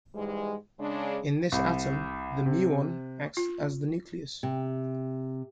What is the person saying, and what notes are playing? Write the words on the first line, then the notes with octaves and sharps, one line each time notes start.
In this atom, the muon acts as the nucleus.
G#2 E3 G3 G#3
C#3 G#3 D4
C2
C3
F4
C3